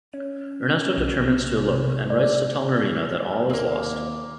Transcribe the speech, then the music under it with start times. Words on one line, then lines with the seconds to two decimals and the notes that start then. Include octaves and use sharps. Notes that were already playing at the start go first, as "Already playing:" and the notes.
Ernesto determines to elope and writes to tell Norina that all is lost.
0.14 C#4
0.98 B1
1.42 C3
2.10 D5
3.50 D#2 A#3 C4